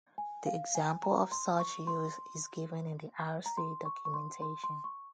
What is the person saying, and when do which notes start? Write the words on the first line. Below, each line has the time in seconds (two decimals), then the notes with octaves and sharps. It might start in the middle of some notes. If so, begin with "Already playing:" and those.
The example of such use is given in the rc documentation.
0.18 G#5
0.46 F5
0.75 G#5
1.03 A#5
1.32 C6
1.59 C#6
1.87 C6
3.46 A#5
3.57 C6
3.85 C#6
4.05 C#6
4.14 C6
4.42 C6
4.64 C6
4.84 C#6